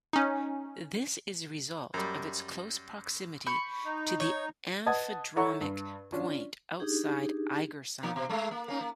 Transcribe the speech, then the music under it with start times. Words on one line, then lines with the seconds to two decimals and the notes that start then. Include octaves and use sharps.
This is a result of its close proximity to the amphidromic point outside Eigersund.
0.13 C#4 D#4
1.94 F#2 G3
3.46 B5 C#6 G6
3.85 D#4
4.20 C#5
4.86 B4 D#5 F#5 A5 D#6 G#6
5.36 E4 A4 C#5 F#5 A#5 C#6
5.61 G2
6.12 C#4 D4 F4
6.80 D4 D#4 G4 G#4
8.03 F3 A#3 D#4
8.16 B2 C5
8.29 G#3 A3
8.51 A#3
8.68 A#3 C#4 D#4
8.81 A#3